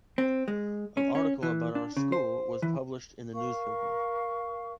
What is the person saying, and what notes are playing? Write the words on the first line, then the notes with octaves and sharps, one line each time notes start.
An article about our school was published in a newspaper.
C4
G#3
C#4
C#4
E3
D4
C#3
C5
E3
A#4 F5 C#6